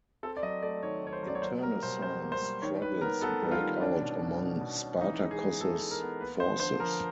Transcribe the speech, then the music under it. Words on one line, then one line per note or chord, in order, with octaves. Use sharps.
Internecine struggles break out among Spartacus's forces.
C4 A4
D5
F#3 D#5
A3 D5
D#3 C#5
D#3 C#5
C5
F#3
D5
C#5
A#3 C5
G3 A#4
B2 C5
G3 C5
A#3
C5
G3
D#3 C#5
D#3 B4
B3 A#4
B3 A4
G3
F4
D#3
C#4 D4
B2
C#4
B2
B2
C#4
E3 D#4
G#3
G#4
B3
E3 A4
E3
A#4
B3
A#3 B4
F3 C5
D3 C5
F3 A#4